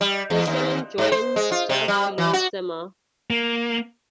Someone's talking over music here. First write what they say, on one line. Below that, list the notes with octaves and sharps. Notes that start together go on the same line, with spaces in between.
The Cernant joins just below Semur.
G3
E2
D#2
G#2
C5
G#3
F4
C3
G3
E3
F#4
A#3